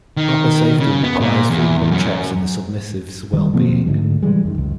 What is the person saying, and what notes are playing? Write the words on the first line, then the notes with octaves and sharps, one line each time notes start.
Proper safety requires frequent checks of the submissive's well-being.
D#3
C#3
B3
A#2
E2
E2
F#2
D#3 E3 G3
B2 F3 A#3 C4
D2 G#2 D3 G3
C3 E3 G3 G#3
F#2 D#3
C#2